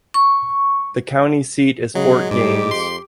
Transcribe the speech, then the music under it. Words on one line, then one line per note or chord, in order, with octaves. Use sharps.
The county seat is Fort Gaines.
C#6
C#3 F#3 G#3 G#4
G#2 G3 G4 D6
F2 C6